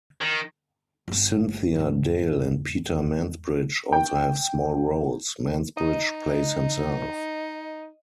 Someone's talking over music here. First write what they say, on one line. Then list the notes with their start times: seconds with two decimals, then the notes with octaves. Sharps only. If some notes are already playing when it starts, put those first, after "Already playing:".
Cynthia Dale and Peter Mansbridge also have small roles; Mansbridge plays himself.
0.21 D#3
1.08 G1 B3
1.76 E2 G#2
3.92 G5
5.77 D#4 D#5